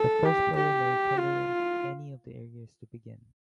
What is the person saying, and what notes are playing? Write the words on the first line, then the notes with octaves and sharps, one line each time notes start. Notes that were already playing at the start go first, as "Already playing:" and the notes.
The first player may colour any of the areas to begin.
Already playing: A4
G4
G4
F4